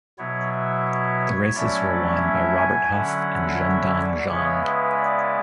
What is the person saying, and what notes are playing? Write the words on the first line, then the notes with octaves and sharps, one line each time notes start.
The races were won by Robert Huff and Zhendong Zhang.
B2 F#3 B3 E4 C#5
E5
C#5
C#5
F#3 A3 C#4 E4 D5
E5
G#5
D3 F#3 C#4 E4 F#5
E5
D5
C#3 G#3 B3 E4 C#5
B4
D5